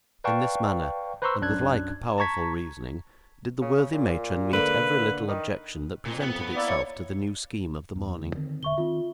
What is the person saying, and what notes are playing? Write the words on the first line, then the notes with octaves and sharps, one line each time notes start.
In this manner, and with like powerful reasoning, did the worthy matron meet every little objection that presented itself to the new scheme of the morning.
B4 D5 F5 G5 A5 C#6
B4 C5 A#5 C6 C#6 E6
B1 F#2 D4 F#6 G#6
A5 A#5 C#6 G#6 B6
C#3
A#2
D3 A#3 B4
D#3
F2 A#2
B3
A#3 E4 D5
C#5
E2
D2
D3 D#3 C4
E1 D3 E5 C#6 G7
D#3 C4 F4